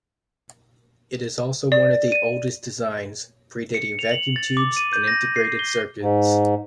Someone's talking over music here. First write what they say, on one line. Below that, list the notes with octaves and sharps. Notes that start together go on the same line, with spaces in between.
It is also one of the oldest designs, predating vacuum tubes and integrated circuits.
D5
D#7
C#7
F7
F#7
A6
D6
D#7
G6
A#6
C7
G7
G#2